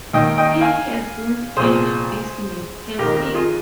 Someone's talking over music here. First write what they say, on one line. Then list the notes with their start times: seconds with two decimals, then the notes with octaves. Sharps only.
He hasn't any business, has he?
0.13 D#2 D#3 D#5 G5
0.38 D#5 G5
0.61 F5 G#5
1.56 C2 A#2 F3 G#4 C5
2.99 F2 D#3 G4 A#4
3.17 G4 A#4
3.34 F4 G#4